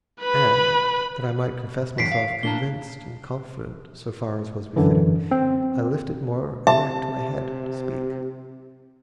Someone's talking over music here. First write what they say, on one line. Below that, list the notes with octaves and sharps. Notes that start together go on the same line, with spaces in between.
And, that I might confess myself convinced And confident, so far as was befitting, I lifted more erect my head to speak.
B4 B5
F#2 D3 E3 B6 C7 D7
F5
A#3 D4 A5 G7
F#2 D3 E3
C4
C3 E5 A5